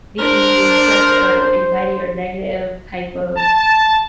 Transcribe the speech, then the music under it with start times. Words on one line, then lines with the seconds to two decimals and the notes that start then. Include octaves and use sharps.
the stress or anxiety or negative type of,
0.19 D4 A#4 C5
3.37 A5